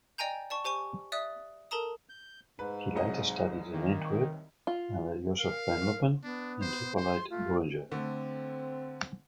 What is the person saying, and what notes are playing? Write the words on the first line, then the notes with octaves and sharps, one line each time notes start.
He later studied in Antwerp under Joseph Van Luppen and Hippolyte Boulenger.
D5 D#5 G5 G#5 A#5 G6
D5 A5 C#6
G4 C5 G#5 C#6
D5 E5 D#6 F#6
A4 A#4 A5 A#5 D#6
G6
G#2 B4
C2 F#3 D#5
D#3 A#3
F4
A#4 F5
B3 D4
C5
C5 C6
A3 F4
D3 A3 C4